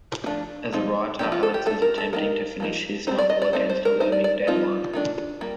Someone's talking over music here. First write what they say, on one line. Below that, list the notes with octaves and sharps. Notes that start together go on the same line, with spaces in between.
As a writer, Alex is attempting to finish his novel against a looming deadline.
F3 A3 D4
F3 C4 D#4
F3 A#3 D4 G4
F4
A4
G4
A3 D4 A4
A#4
A4
D#3 A#3 D#4 A#4
F3 A#3 D#4
G3 C4 D#4 C5
D5
D#5
D5
A3 C4 D#4 C5
C5
A#4
A3 D#4 C5
D5
D5
F3 C4 D#4 F4
D#3 A3 D4
G3 A#3